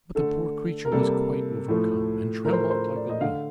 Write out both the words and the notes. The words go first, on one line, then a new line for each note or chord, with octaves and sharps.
But the poor creature was quite overcome, and trembled like a leaf.
D3 A3 A4
A#4
C3 G3 A#3 A4
A2 F3 A3
A2 F3 A3 A#4
C5
A#4
C5
D5
D#5
D3 A3 F5